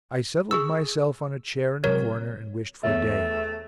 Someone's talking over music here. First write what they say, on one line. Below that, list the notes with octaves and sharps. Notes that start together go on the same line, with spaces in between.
I settled myself on a chair in a corner and wished for day.
G#4 C#6 E6
C3 F#3 G#3 A#4 C#5
E2 A3 C#5 E5